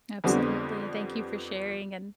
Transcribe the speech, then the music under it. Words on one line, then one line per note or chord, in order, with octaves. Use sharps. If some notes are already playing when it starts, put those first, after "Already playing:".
Absolutely, thank you for sharing, and
F2 D3 F3 G3 B3 C4